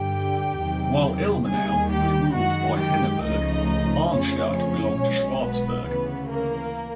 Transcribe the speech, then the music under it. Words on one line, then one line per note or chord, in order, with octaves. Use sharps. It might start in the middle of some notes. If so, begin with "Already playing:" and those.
While Ilmenau was ruled by Henneberg, Arnstadt belonged to Schwarzburg.
Already playing: G2 D3 G3 G4 G5
E2 C3 D#3 F#3
D#2 D#3 G3 G#4 G#5
G4 G5
F#2 D#3 G#3 F#4 F#5
G4 G5
C#2 C#3 F3 A3 D#4 D#5
F2 C#3 F3 A3 C#4 C#5
C#4 C#5
B1 B2 G#3
B3 B4
D2 C#3 E3 B3 B4
A#3 A#4